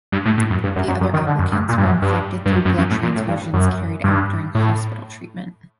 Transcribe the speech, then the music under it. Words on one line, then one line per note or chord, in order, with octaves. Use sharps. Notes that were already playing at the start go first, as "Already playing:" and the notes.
The other applicants were infected through blood transfusions carried out during hospital treatment.
G2
A2
A2
F#2
G2
F#2
F#2
F#2
D#3
D3
F#2
G2
A#2
G2
F#2
G2
G2
F#2
F#2
F#2
A2
A#2
A2
G2
F#2
G2
A2